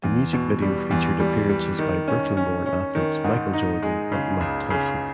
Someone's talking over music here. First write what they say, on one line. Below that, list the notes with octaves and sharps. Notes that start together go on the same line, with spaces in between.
The music video featured appearances by Brooklyn-born athletes Michael Jordan and Mike Tyson.
E2
B2
G3
E2
G3
G3
D#3
C#4
C#4
C#4
D#3
G#2
D#4
G#3
C#3
C#2
C#3